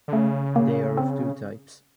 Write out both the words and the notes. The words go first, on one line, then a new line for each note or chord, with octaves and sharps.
They are of two types.
D3
C#3 A3
A#3
C4